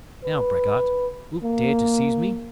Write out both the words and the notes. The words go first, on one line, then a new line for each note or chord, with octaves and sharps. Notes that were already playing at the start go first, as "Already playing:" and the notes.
"Now, braggart, wilt dare to seize me?"
B4
A#3